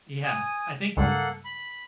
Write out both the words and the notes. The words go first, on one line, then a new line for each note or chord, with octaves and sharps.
Yeah, I think,
G#5 D#6
C#2 G2 A#3 A4 F#5
B5